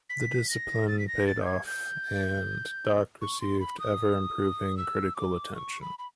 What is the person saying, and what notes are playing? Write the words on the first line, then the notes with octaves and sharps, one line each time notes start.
The discipline paid off, and Doc received ever-improving critical attention.
B6
A#6
A6
B6
A#6
A6
G6
G#6
G6
C#6
C6
B5
D#6
E6
D6
C#6
B5
B5